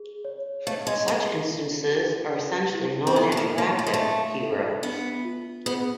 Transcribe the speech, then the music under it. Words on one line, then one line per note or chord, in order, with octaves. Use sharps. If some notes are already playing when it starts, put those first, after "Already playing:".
"Such instances are essentially noninteractive", he wrote.
Already playing: G#4
C#5
A3 F5
G#3
G#3 G#4
E4
G4
B4
E4
C4
B3 A4
A3
A#3
A#3 C#5
A3
G#3
A3
F5
A4
B3 D4
F4
B3 G#4